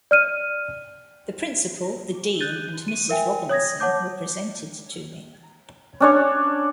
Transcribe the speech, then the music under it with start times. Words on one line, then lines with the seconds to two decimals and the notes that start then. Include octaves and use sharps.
The Principal, the Dean and Mrs Robinson were presented to me.
0.11 D5 F6 D#7
2.40 F#6 G6 A6 D#7
2.88 D#7
3.09 A#4 E5 G5 G#5
3.49 C#5 D#6 G#6 A#6
3.80 C#5 F#5 A5 D6 G6
6.00 C#4 D4 C#5